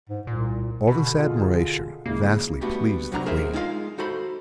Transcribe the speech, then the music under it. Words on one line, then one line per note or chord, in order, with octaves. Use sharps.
All this admiration vastly pleased the Queen.
G#2
C2 A#2
B2 D3 B5
F4 G#4
C#3 G#3 A#3 E4
G3 A3 B3 D4 F#4 G4
C2 F#3 B3 D4 D5 A#5
G#4 A#4 C5 D#5 E5
G#3 D#4 F4 G4 F5 C6
D#4 F#4 A4 C5 B5